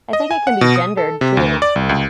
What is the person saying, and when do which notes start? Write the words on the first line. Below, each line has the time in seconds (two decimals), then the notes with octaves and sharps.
I think it can be gendered too.
0.13 D#5
0.31 G#5
0.47 F#5
0.61 B2
0.76 D#6
0.97 A4
1.21 C3
1.37 D2
1.62 D5
1.76 C2
1.89 C#2